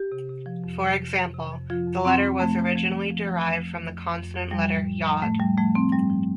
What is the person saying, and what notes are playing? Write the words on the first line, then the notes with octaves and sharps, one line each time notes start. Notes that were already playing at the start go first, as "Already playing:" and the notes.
For example, the letter was originally derived from the consonant letter "yod".
Already playing: G4
C3
C3
F3
F2
C3
F2
F2
C3
F2
F3 F4
F2
F2 C4
F3
F3 A3
F3
F3
F3
F3
F3
F2
F2
F2
F2
F2
F2
F3 G3
A2
F3
F3
A2 A3
F3 G3
F3 A3
F3 C4
G2 G3
F3